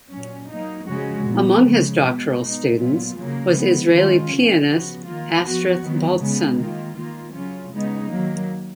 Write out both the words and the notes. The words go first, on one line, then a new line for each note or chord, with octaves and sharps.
Among his doctoral students was Israeli pianist Astrith Baltsan.
A#2 F#3 C#4
F#3 A#3 D#4
C#3 F3 G#3 C#4 F#4
A#2 F3 B3
C#3 F3 G#3
B2 G#3 B3
B2 G#3 D#4
A#2 F#3 B3 F4
C#3 F#3 A#3
F3 G#3 B3
D#3 G#3 C#4 F4
C#3 F#3 C#4
C#3 F3 B3 F#4
D#3 A#3 F4
F3 B3 F#4
D#3 F#3 B3
C#3 G#3 B3
D#3 A#3 F4
D#3 A#3 F4
C#3 F#3 C#4 F4
C#3 G#3 B3 D#4
D#3 F#3 A#3